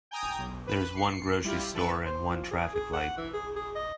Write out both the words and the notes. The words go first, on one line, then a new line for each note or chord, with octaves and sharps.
There is one grocery store and one traffic light.
G5 G#5 A#5 D#6 G6
B1
B4
C7 C#7
G3 E4 F4 G4
E3 A4 B4 C#6 E7
C5
F3
G#4
G#4
F#5
E3
G#4
G#4
D#5